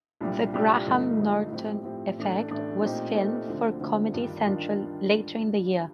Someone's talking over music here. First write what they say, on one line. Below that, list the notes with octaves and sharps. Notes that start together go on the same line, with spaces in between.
"The Graham Norton Effect" was filmed for Comedy Central later in the year.
C2 A#2 G3 D4 G4
C2 A#2 G3 D4 G4
G1 G2 F3 A3 D#4
G1 G2 F3 A3 D#4
A2 F3 C4 G4
A2 F3 C4 G4
A1 A2 A3 D4
A1 A2 A3 D4
A#2 A3 C4 D#4 G4
A#2 A3 C4 D#4 G4
D2 D3 F3 C4
D2 D3 F3 C4
G2 D#3 G3 D4 F4
G2 D#3 G3 D4 F4